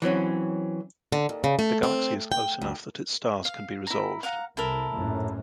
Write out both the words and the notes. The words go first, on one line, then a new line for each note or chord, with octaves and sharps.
The galaxy is close enough that its stars can be resolved.
E3 F#3 C4 C#4
D3
D#2
C#3
A3
C4
G5
D2
F5
E4 A#5
F5 F#5 A#5
C2 E4 A4 A#4
A#1 F#2 A2